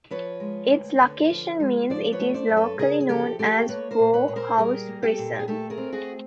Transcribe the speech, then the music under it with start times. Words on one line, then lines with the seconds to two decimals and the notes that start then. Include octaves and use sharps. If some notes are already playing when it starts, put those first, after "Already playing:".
Its location means it is locally known as "Bowhouse Prison".
0.11 F3 B4 C#5
0.40 G#3
0.71 D2
1.00 D3
1.30 F3
1.60 G#3
1.90 F3 C5 D5
2.12 B4 C#5
2.20 A3
2.34 C5 D5
2.49 F#2
2.57 A4 B4
2.79 C#3 G#4 A#4
3.01 G#4
3.09 F3 G4 A4
3.39 A3 G4 A4
3.69 A#3 B4 C#5
3.91 A#4 C5
3.99 A#2
4.14 B4 C#5
4.28 A#2 C#5
4.36 A#4 C5
4.58 G3 G#4 A#4
4.88 A#3
5.03 G4 A4
5.18 A#2
5.40 G#4
5.48 A3 G4 A4
5.70 G#4 A#4
5.77 C4
5.92 F#4 G#4